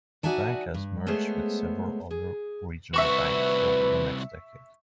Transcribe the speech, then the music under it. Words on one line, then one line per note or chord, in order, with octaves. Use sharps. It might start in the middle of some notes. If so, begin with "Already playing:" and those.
The bank has merged with several other regional banks over the next decade.
D#4 F#4 D5 E5 G#5 A5
G2
G#3 A3 B3 G#4 C5 C#5
G#4
C2 F#4 B4 E5 C#6 E7